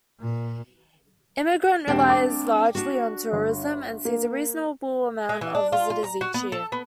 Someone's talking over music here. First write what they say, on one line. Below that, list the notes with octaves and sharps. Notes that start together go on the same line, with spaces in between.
Emigrant relies largely on tourism and sees a reasonable amount of visitors each year.
A#2
E1 A#3 C4 D4 G4
D6
D4 F#4
G1
A#3
G#3
E3
D4
F4
F4
A#5
F#4
B3
A4
B3